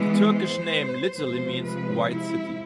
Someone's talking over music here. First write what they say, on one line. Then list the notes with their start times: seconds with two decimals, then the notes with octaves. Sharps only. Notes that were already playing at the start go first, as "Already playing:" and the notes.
The Turkish name literally means "white city".
Already playing: E3 G#3 B3
0.22 C5
1.15 C3 F3 G#3 C5
1.62 B4
2.09 E4